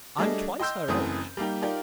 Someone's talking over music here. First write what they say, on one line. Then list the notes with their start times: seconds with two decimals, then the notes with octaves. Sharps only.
I'm twice her age.
0.18 G3 A3 D4 G#4 A4 D#5
0.60 D#5 G5 C6 E6 G6
0.88 F#1 F#2 E3 A3 C4 D#6
1.37 G3 A#3 D#4 G4
1.62 D#4 F4 G4 A#4 D5